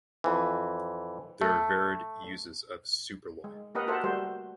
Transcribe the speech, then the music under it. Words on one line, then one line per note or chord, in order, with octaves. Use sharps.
There are varied uses of Superloy.
F2 E3
A3
G#3
A#3 G4 A#4 B4 D#5 F#5
F#4 A4 A#4 C5 E5 F#5
G3 A3 F#4 C5